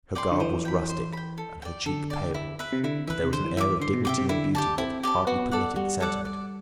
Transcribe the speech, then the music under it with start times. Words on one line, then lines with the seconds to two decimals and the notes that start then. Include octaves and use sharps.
Her garb was rustic, and her cheek pale; but there was an air of dignity and beauty, that hardly permitted the sentiment of pity.
0.15 D5 G5 C6
0.32 D3
0.40 E3 C5
0.65 G5 B5
0.89 C5
1.13 G5 B5
1.38 A4
1.62 D5 G5
1.86 D3 A4
2.10 D5 G5
2.34 E4
2.59 B4 E5
2.72 C3
2.84 D3 E4
3.07 E3 B4 E5
3.23 C3
3.32 D3 C5
3.45 E3
3.56 E3 E5 G5 D6
3.69 E3
3.81 D3 C5
3.93 B2
4.05 C3 E5 G5 D6
4.18 C3
4.29 D3 E4
4.55 G4 D5 A5
4.78 C4 E4
5.03 G4 D5 A5
5.27 B3 F#4
5.51 A4 D5 F#5
5.76 G3 F#4
6.00 A4 D5 F#5
6.25 D5